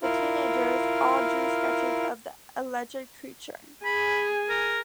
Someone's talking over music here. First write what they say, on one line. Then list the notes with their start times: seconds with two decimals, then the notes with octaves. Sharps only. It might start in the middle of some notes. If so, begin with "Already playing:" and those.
The teenagers all drew sketches of the alleged creature.
0.03 E4 F4 A#4
3.85 G#4 G#5 B5
4.49 A#4